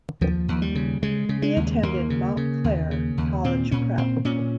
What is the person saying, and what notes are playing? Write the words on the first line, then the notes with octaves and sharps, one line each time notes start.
He attended Montclair College Prep.
D#2 F3
D#2
G3
C#3
C#3 G#3
C#3
G#3
D#2
D#2 A#3
C#3
C#3
D#2
C#3
D#2
A#2 C4
A#2 C#4
A#2 C4
A#2 C#4